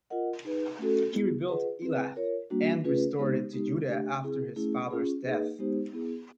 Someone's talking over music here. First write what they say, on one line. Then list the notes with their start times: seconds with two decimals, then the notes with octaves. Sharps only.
He rebuilt Elath, and restored it to Judah, after his father's death.
0.10 F4 A#4 D#5 F#5
0.45 D#4 G#4 B4
0.78 A3 C#4 F#4 A4
1.13 B3 E4 G#4
1.48 F4 G#4 B4 D#5 F#5
1.82 C4 E4 G#4 B4
2.16 F4 A#4 C#5
2.50 G3 A#3 D4 F#4
2.84 A3 C#4 F4 G#4 B4
3.19 G#3 B3 D#4 G4 C5
3.53 G#3 B3 D#4 G4
3.87 A3 D4 G4
4.22 C4 E4 G#4
4.56 A3 C#4 E4 G#4
4.91 C#4 F4 G#4
5.25 A#3 D#4 G#4 B4 D#5
5.59 G#3 B3 D#4 G4 C5
5.93 B3 E4 G#4